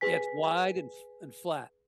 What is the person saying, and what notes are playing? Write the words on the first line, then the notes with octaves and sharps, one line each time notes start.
Yeah, it's wide and fl and flat.
G#4 B4 G#5 B6